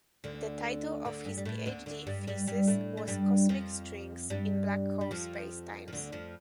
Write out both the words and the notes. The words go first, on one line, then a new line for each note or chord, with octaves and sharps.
The title of his PhD thesis was "Cosmic strings in black hole spacetimes".
D2 D3
D2 D3
G2 G3
G3
A2 A3
D2 D3
D2 D3
G2 G3
G2 G3
G2 G3
A2 A3
A3
G2 G3
F2 F3
G2 G3
G3
F2 F3
F3
D2 D3
F2 F3